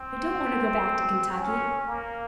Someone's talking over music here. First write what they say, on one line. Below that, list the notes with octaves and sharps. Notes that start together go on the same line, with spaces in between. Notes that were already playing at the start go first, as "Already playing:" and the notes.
I don't want to go back to Kentucky!
Already playing: C4
C#4
A#3